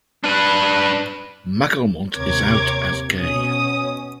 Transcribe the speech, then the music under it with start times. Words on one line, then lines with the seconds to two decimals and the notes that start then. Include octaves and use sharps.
McAlmont is out as gay.
0.24 D4 B4
2.16 D#2 C3 A#4 C#5 D6 G#6
3.18 B2 C#4 D#6